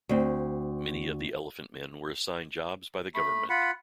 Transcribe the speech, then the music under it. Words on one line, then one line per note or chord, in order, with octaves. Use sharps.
Many of the Elephantmen were assigned jobs by the government.
D2 C4
A3 B5
F4 F#5 B5